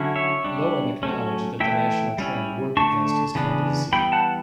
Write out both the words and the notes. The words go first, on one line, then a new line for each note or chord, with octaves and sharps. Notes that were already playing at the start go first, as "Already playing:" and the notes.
Loewen acknowledged that the national trend worked against his candidacy.
Already playing: D3 F#3 C#4 E4
C#5 E5
G3 D4
F#3 A3 C#4
E3 A3 E4 E5 G5
G3 C#4 E4
D3 A3 D4 A5 C#6
C#3 E3 B3 D4
E3 G3 B3 E4 G5 B5
F#5 A5